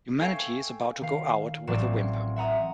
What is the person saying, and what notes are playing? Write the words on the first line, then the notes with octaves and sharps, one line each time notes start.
Humanity is about to go out with a whimper.
A4 C#5 F5 G5 G#5
D#3 F5
A1 A2 F#3 C4 D5 E7
E5 F#5 A#5 D#6